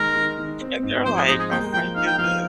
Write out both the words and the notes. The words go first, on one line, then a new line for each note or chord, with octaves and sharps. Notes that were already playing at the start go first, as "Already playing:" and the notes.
And they're like, "Oh my goodness,"
Already playing: D#3 G#3 A#4
D#3
D#3
C4
G#2
F3 C5
G#4
G#3 D#4
G#4
A#3 G5
F3 G5
D#4 F5
G5
F3 F5